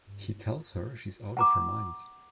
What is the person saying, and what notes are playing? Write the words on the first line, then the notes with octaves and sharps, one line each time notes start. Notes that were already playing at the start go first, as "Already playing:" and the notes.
He tells her she is out of her mind.
F#5 A#5 D6